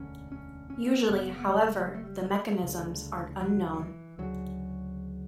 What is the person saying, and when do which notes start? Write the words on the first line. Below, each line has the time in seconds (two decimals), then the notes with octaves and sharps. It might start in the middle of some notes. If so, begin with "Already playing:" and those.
Usually, however, the mechanisms are unknown.
Already playing: E1 D2 D3 C#4
0.32 C#4
0.70 C#4
1.08 F#1 F#2 C#3 B3
1.35 B3
1.47 A3
1.86 G3
1.94 A3
2.04 G3
2.63 D2 C#3
3.41 F#3
3.74 F#3
3.79 E3
4.18 D2 C#3 F#3